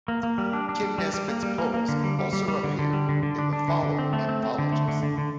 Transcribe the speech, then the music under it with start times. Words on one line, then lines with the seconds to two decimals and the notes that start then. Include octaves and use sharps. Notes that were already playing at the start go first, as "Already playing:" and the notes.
Kenn Nesbitt's poems also appear in the following anthologies.
0.08 A#3
0.23 A#3
0.38 G3
0.53 D4
0.69 D4
0.83 G3
0.98 G3
1.14 G3
1.28 A#3
1.43 G3
1.58 A#3
1.74 A#3
1.89 D3
2.04 G3
2.19 G3
2.33 G3
2.48 G3
2.64 D3
2.79 D3
2.93 G3
3.09 D3
3.23 D3
3.39 D4
3.53 D4
3.68 D3
3.83 D3
3.98 C4
4.13 A3
4.29 C4
4.43 C4
4.58 D3
4.72 A3
4.88 D3
5.03 D3
5.18 D3